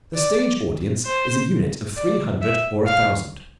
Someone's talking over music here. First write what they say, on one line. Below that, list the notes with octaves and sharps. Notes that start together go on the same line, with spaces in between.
The stage audience is a unit of three hundred or a thousand.
D5
C5
D5
E5
F5